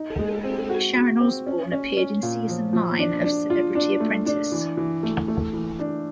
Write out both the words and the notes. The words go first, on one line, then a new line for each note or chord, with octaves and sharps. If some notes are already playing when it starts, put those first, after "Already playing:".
Sharon Osbourne appeared in season nine of "Celebrity Apprentice".
Already playing: D#4
G#3
C4
F#4
F#4
C4
C#4
C#4
C#4
A#2
F3
F3
D4
D4
F4
D4
A3
D4
E3
E3
A3
A3
E3
D4